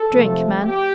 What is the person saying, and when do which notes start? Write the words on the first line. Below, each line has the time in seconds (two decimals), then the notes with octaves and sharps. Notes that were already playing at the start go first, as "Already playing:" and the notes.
Drink, man!
Already playing: A4
0.11 C3 F3 A3
0.61 G4